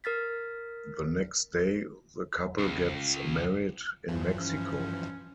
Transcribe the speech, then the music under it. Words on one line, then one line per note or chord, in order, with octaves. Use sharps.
The next day, the couple gets married in Mexico.
A#4 F6 A6 B6
C#2
G2 E3 F3
C#4